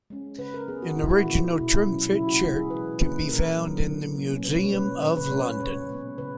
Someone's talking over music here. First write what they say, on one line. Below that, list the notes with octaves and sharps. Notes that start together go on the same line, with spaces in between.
An original Trimfit shirt can be found in the Museum of London.
G#3 C#4
C#3 B4
A#4
G#3 B3 G#4
F#4
A#2 E4
F#4
G#3 B3 F#4
F#4
B2 E4
F#3 C#4
C#3 E4
F#4
E3 G#3 E4
G#4
E3 B4
A#3 C#4 B4
A#2 A#4
F#3 B3
C#3
F#3 A#3 C#4
B2 B4
C#5
A#3 C#4 B4
C#5
A#2 B4
B4
G#3 C#4 C#5
B4
C#3 C#5
G#3 B3
C#3 B4